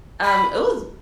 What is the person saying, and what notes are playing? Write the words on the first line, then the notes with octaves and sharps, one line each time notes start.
Um, it was
B5